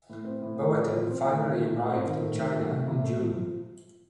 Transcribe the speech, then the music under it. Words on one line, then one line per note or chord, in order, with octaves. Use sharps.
Boateng finally arrived in China in June.
A2
C4
A2
A2
F3
F3
C4
A2
D#3
A3
A3
C4
D#3
A3
D#3
A3
C3
C3
A3
F3
F3